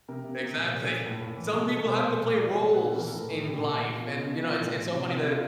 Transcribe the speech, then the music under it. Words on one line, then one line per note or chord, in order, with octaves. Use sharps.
Exactly. Some people have to play roles in life, and, you know, it's it's so funny that,
C3 A#4
C3
C3
A#2
A#2
A#2
A2
A2
E3
B2 G#4
B2 A4
A#4
B2 C5
A#2
A#2
A#2
D5
A#2 C#5
C#5
A#2
B4
A#2 A4
E3 A#4
A4
A2 A#4
A4
E3
A#2 G4
A#2
A#2
B2 F4
B2
B2
E3 F4
A2
E3
C3
C3
C3 E4
F4